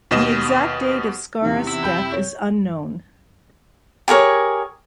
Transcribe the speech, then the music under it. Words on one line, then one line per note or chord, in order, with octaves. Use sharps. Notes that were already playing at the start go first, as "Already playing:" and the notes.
The exact date of Scaurus' death is unknown.
D#2 B2 D#5 E7
E2 C3 D#3
E4
G5 B5 G6
C#5
G4 G#4 A#4 C#5